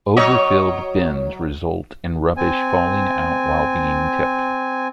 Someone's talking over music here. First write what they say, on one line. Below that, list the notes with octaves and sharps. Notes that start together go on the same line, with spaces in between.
Overfilled bins result in rubbish falling out while being tipped.
F#3 C#5 D#5
C4 G#5